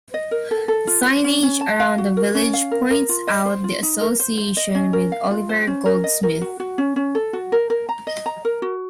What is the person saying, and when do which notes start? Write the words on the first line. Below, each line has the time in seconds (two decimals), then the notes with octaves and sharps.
Signage around the village points out the association with Oliver Goldsmith.
0.14 D#5
0.31 A#4
0.51 A4
0.68 A4
0.87 F4
1.06 C5
1.24 C#4
1.43 C#4
1.61 A5
1.80 F5
1.98 F#4
2.17 A#4
2.35 C#4
2.53 F5
2.71 A#4
2.90 A#4
3.09 F4
3.27 D#5
3.45 C5
3.64 F4
3.83 D#4
4.01 A#4
4.20 C5
4.37 C5
4.57 D#5
4.75 C#4
4.93 A#4
5.12 F5
5.31 F4
5.49 C5
5.67 C#4
5.86 A#4
6.04 D#5
6.23 A#4
6.41 F#4
6.60 F#4
6.78 C#4
6.96 C#4
7.15 A4
7.33 F#4
7.52 A#4
7.70 A#4
7.89 A#5
8.07 D#5
8.26 A#5
8.45 A#4
8.62 F#4